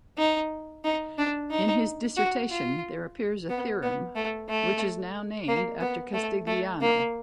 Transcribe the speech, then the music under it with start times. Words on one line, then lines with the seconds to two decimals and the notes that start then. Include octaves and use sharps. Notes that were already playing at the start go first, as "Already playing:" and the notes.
In his dissertation there appears a theorem which is now named after Castigliano.
0.18 D#4
0.84 D#4
1.18 D4
1.50 D#4
2.17 F#4
2.50 F4
3.49 B3
3.83 B3
4.16 A3
4.49 A3
5.48 A#3
5.81 B3
6.14 A3
6.47 A3
6.81 A#3